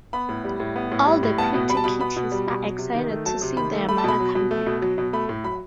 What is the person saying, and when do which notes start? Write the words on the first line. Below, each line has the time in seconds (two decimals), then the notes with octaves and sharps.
All the pretty kitties are excited to see their mother come back.
0.13 B3 B5
0.29 A2
0.44 G3
0.60 A2
0.76 B3
0.92 A2
1.07 G3
1.23 A2
1.38 B3 A5
1.54 B2
1.69 G3 B5
1.77 A5
1.84 B2 B5
2.01 B3 B5
2.16 B2
2.32 G3
2.47 B2
2.63 F#3
2.78 C3
2.95 D#3
3.10 A3
3.26 F#3 A5
3.42 C3
3.57 D#3 B5
3.73 A3
3.88 A3 B5
3.98 A5
4.04 B2 B5
4.20 F#3
4.35 B2
4.51 A3
4.67 B2
4.82 F#3
4.98 B2
5.13 A3 B5
5.29 A2
5.44 F#3 B5